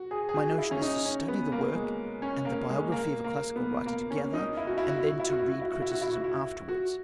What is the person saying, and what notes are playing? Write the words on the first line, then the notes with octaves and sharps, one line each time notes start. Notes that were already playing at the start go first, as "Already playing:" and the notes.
My notion is to study the work and the biography of a classical writer together, and then to read criticism afterwards.
Already playing: F#4
G#4
G#4
F#4
E4
C#4
D#4
C#4
B3
A#3
G#3
C#4
A#3
G#3
A#3
A#3
B3
A#3
C#4
D#4
E4
F#4
E4
F#4
E4
F#4
E4
F#4
E4
F#4
E4
F#4
E4
F#4
E4
F#4
E4
F#4